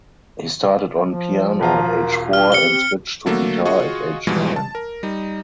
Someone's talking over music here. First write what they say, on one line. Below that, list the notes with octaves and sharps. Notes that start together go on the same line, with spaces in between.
He started on piano at age four and switched to guitar at age nine.
F3
E1 F4 A5 A#5
A#4
D4 F6
C4 G4 C#7 G7
D3 F#3 A3 A#3 F#4 A4
F4 F#4 G#4 D#5 C#6
G#2 B2 E3 F3 G3 G#3
A5
A#4
G3 D#4